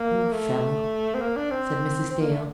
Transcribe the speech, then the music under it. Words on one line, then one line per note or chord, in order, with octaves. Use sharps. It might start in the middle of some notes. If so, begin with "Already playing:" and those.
"Poor fellow!" said Mrs. Dale.
Already playing: A#3
A3
C4
A#3
D4
C4
C4
A#3
A3